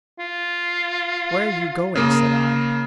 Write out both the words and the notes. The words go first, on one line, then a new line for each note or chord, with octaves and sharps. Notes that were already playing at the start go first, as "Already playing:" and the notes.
"Where are you going?" said I.
F4
C#3 A#3 D#6